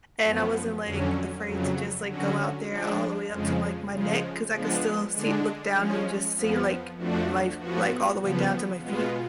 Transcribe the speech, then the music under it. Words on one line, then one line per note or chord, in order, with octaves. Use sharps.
and I wasn't, like, afraid to just, like, go out there all the way up to, like, my neck 'cause I could still see look down and just see, like, life, like, all the way down to my feet.
F#2 F3 B3
F2 D3 F#3 C#4
F2 C#3 F#3
D3 F#3 C#4 F#4
F3 G#3 D4
F2 C#3 F3 G#3
C#3 F3 G#3
F3 G#3 B3 D4
D3 G#3 D4
F3 G#3 C#4
F2 F3 B3
F2 F3 A3 D4 F#4
A2 F3 B3 F#4
C#3 F3 B3
B2 G#3 B3 F4